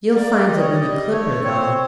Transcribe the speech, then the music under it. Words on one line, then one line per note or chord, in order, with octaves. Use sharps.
You'll find them in the 'Clipper,' though.
A#3 D5
G3 D#5
C#5
D5
G3 D#5
A3 C#5
C4 C#5